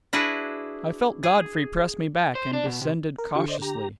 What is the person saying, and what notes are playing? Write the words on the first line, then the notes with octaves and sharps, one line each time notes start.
I felt Godfrey press me back, and descended cautiously.
D4 E4 F#4 G#4 B4
G#4
C5
D4
B2
C3
A#4
D3 F4 G4 C#6
C5 D5 D#5
G4 A#5